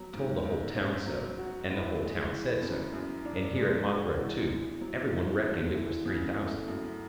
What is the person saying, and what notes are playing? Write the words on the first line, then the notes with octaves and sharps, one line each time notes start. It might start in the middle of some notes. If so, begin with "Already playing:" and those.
I told the whole town so, and the whole town said so. And here, at Mokroe, too, every one reckoned it was three thousand.
Already playing: F#3 B3
G#2
G#2
C#4
F#3
F#4
A2
G#3
E3
F#2
F#2
D4
G#3
F#4
E3
B3
F#3
E4
D3
E3
C#3
A3
F#2